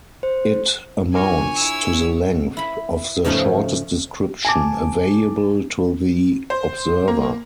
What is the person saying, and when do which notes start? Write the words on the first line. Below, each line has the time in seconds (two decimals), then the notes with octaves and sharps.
It amounts to the length of the shortest description "available to the observer".
0.23 C5
1.14 D4 F4 A#4 C#5 G#5
1.55 E4 E6
2.57 E4 B5
3.24 G#2 C#3 F3 A3 D#4 G#4
4.45 G#5 A5 D6
6.50 C5
7.08 A#3